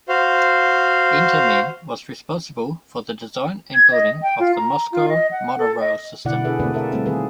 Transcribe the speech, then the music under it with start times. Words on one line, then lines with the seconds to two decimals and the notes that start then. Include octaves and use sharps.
Intamin was responsible for the design and building of the Moscow Monorail System.
0.09 F#4 C5 F5
3.75 G#6
3.91 D#5
4.22 G5
4.40 F4
4.56 A#5
4.92 F4
5.09 D#5
5.32 F#5
5.58 A4
5.80 D#5
6.25 B2 D3 E4 D5 F#5
6.44 D4 E4 G#4 A4 B4 E5
6.59 D3 A3 A#3 C4 B4 D5
6.74 A4 A#4 C5 E5
6.92 G3 A3 A#3 C4 A4
7.06 D#3 C4 G#4 A4 B4